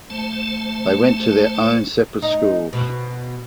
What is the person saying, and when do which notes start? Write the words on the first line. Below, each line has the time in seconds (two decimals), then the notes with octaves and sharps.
They went to their own separate schools.
0.10 A3 C5 A5
2.22 D#4
2.73 B2